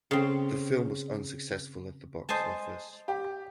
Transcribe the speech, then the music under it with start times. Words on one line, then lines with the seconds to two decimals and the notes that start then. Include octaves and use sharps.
The film was unsuccessful at the box office.
0.11 C#3 C4
2.29 C5 D#5 G#5 A5
3.08 G4